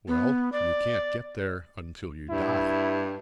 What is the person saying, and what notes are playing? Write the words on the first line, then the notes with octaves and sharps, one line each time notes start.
"Well, you can't get there until you die."
B3
D5
G2 E4